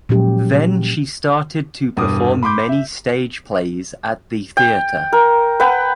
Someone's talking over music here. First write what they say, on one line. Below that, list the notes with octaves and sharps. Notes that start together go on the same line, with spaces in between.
Then she started to perform many stage plays at the theater.
A#2 F3 F#3 G#3 C#4 G4
E1 G2 D6 D#6
B5 C6 D6 G6
E5
G5
A#4
B4 F#5 G5